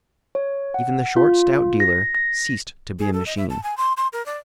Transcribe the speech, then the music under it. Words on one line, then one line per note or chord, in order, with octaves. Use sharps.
Even the short, stout dealer ceased to be a machine.
C#5
F#5
F4
A#6
A#6
G#4
A4
D#5
E5
A5
G#5
C6
C6
A#4
D5